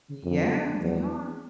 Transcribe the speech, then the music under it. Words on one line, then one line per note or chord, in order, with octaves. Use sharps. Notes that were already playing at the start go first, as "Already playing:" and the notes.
Yeah, they are,
F2
E2